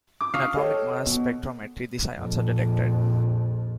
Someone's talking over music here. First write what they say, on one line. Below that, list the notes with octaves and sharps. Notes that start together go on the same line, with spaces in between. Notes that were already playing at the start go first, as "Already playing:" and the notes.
In atomic mass spectrometry, these ions are detected.
D6
F5 C#6 D#6 F6 C7
A4 C#5 D#5 G5
B2
A#1 F2